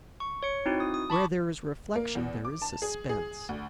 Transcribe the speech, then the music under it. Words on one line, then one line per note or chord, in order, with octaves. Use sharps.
Where there is reflection there is suspense.
C#6
C#5 C#7
C4 D#4 E4 F#4
D#6
D#6
A5 B5 C#6 D6
A#3
E2
D6
A5
G#4
G#4
D2